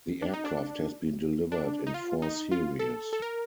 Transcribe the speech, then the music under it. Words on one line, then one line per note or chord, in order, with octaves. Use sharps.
The aircraft has been delivered in four series.
D4
D#4
D4
D4
D#4
F4
D#4
F4
A4
A4
A#4